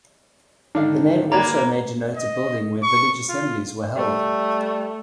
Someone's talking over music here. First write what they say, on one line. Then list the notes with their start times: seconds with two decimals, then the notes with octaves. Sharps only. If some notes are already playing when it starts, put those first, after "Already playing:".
The name also may denote a building where village assemblies were held.
0.75 G#2 D3 D#3 D4 F5
1.32 A#3 B4 D5 A#5 G#6
2.17 D#5
2.83 C#6
3.29 F4
3.96 G3 A3